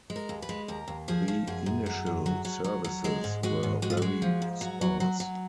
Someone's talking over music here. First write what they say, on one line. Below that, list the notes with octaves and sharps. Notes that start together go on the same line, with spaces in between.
The initial services were very sparse.
G#3
A#4
D#2
B4
G#3
D#2 A#4
D#2
F3 G#4
F3
F#2 G#4
F#2
F#3
F#2
F#3
F#3
F#3
F#3
G#3 G#4
G#2
G#3 F#4
G#2
G#3 F#4
F4
G#3 F#4
F3
G#2
F#3 F#4
F#3
F#3
F#3